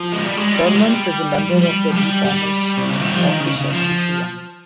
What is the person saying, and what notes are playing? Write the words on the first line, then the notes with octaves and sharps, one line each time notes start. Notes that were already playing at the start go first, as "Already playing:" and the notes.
Thurman is a member of the ReFormers Caucus of Issue One.
Already playing: F3
G#3
G3
G#3
G3
G#3
F3
G3
G3
F3
G3
F3
G3
G3
C3
C#3
D#3
F3
D#3
C#3
C#3
F3